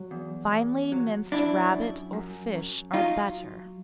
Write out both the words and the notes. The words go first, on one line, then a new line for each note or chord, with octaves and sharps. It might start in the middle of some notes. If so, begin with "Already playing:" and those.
Finely minced rabbit, or fish are better.
Already playing: F#3
E2
E2
F#3
F#2 D4 E4
F#2
F#2
F#2
F#3 D#4 F4